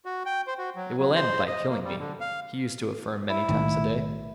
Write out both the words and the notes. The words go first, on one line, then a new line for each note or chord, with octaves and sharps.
"It will end by killing me," he used to affirm many times a day.
F#4
G5
C5
F#4
F#3
F#3
C5
D#5
A#3
G3
D3
F5
E4
B1 A2 D#3